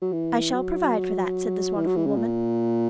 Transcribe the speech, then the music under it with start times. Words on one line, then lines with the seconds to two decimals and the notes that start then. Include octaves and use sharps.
"I shall provide for that," said this wonderful woman.
0.02 F#3
0.12 E3
0.54 F#3
1.75 E3
1.86 F#3
1.96 E3
2.06 C#3
2.16 A#2